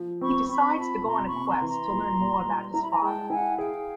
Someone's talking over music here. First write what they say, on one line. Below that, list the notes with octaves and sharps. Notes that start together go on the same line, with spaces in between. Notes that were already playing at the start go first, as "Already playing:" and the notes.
He decides to go on a quest to learn more about his father.
Already playing: F3
C4 B5 C#6
C4 B5 C#6
F4 A5 B5
C3 A#5 C6
B5 C#6
C3
A#5 C6
E3
A#5 C6
A#2
A#2
G3
E4 A#5
B5
G#5 A#5
G#3 G5 A5
E4 F#5 G#5
G#4 F5 G5